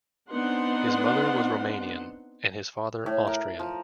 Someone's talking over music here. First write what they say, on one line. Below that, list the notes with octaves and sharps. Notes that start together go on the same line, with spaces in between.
His mother was Romanian and his father Austrian.
B3 C4 D4 D#4 F#5 C6
A2
A#4
F3